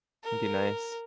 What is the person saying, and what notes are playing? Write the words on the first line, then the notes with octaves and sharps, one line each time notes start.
It'd be nice.
A#4